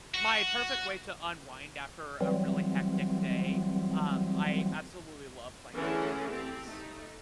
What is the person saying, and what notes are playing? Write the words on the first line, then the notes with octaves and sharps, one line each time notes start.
my perfect way to unwind after a really hectic day, um, I absolutely love playing video games.
F#4
E3 F#3 G3 C4
D3 E3 A3 C#4 G#4 A4
C4 G4 A4
A3 D#4